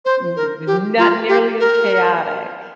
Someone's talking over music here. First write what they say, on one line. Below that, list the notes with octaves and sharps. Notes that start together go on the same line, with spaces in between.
D not nearly as chaotic.
C5
A#4
G4
F4
G4
A#4